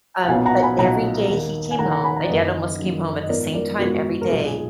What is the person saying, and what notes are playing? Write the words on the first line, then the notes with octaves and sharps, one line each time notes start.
Um, but every day he came home- my dad almost came home at the same time every day-
F#5
B1 A#2 F#3 B3 F5 G#5
F#5 A#5
G#5 B5
B1 A#2 F#3 B3 F#5 A#5
D#2 D#3 A#3
G#5
D#2 D#3 A#3 F#5 A#5
F#5 A#5
G#5 B5
F#5 A#5
D5
F#1 F#2 D#3 A#3 B4 D#5
F#1 F#2 D#3 A#3
D#5
G#1 G#2 F3 B3 A#4 D5
A#4 D5
G#1 G#2 F3 B3 F#4 A#4
A#4
B1 A#2 F3 G#3 G#4
G#4